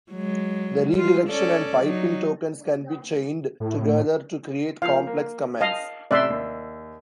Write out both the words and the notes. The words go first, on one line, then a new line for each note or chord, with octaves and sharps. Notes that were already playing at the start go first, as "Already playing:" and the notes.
The redirection and piping tokens can be chained together to create complex commands.
F#3 G#3
G3 F4
C#4 A4 D5
F#3 D#4
A2
F3 A#3 F5
A#3
D#5 F5 A5
A1 C3 D5 E5 C6 F#6
D#2